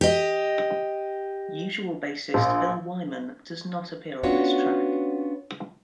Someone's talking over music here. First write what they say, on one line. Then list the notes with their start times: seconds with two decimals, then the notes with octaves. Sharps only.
Usual bassist Bill Wyman does not appear on this track.
0.01 G4 D#5
2.34 A#1
4.23 B3 C#4 D4 F4 F#4 C#5